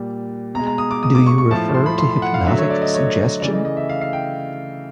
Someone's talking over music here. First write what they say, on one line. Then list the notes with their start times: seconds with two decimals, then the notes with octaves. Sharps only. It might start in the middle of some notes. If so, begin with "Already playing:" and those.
Do you refer to hypnotic suggestion?
Already playing: A#2 G3
0.55 B2 A#5
0.59 G#3
0.67 A#5
0.78 D#6
0.91 D6
1.03 D#6
1.15 D6
1.26 C#6
1.38 C#6
1.50 A2 F3 A3 A5
1.74 C6
1.86 B5
1.98 C6
2.10 B5
2.22 F#5
2.34 F5
2.46 D3 F#3 A3 E5
2.58 C#5
2.70 D5
2.82 D#5
2.94 C#5
3.41 C#3 E3 A3 D5
3.53 D#5
3.65 D#5
3.77 E5
3.89 F5
4.01 F5
4.13 G5